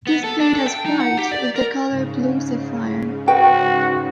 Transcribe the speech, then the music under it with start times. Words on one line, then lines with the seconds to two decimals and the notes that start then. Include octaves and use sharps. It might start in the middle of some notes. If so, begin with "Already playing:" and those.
Displayed as right is the color blue sapphire.
0.07 B3
0.24 A4
0.40 D4
0.55 A4
0.67 G5
0.85 D#4
1.00 F#5
1.18 G4
1.32 D5
1.56 A#4
1.89 G#2 C#3
3.28 F#4 B4 G5